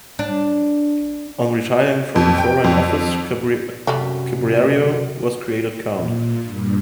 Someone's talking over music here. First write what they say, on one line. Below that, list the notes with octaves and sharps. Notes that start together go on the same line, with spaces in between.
On retiring from the foreign office Cibrario was created count.
D4
F2
G5
F2
F#2 C3 F#3 G3 A3
A#2
G2